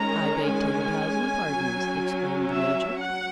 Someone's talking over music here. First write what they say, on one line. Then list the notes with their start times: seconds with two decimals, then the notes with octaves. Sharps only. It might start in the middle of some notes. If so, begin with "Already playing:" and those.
"I beg ten thousand pardons," exclaimed the Major.
Already playing: D#3 G#3 C#4 A#5
0.46 G#5
1.48 F#3 C#4
2.50 E5
3.01 F#5